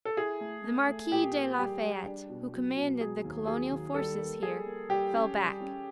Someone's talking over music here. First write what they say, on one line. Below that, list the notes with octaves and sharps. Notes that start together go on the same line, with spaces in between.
The Marquis de la Fayette, who commanded the colonial forces here, fell back.
A4
E4 G#4
A3
A3
A3
A#2 G4
A#3
G3 G4
G3
D4
B2
F#3
B2
F#3 G#4
D#2
F#3 G#4
D#2
G3 A4
A#3
G3 G#4
A#3
G3 G4
C#4
G3
C#4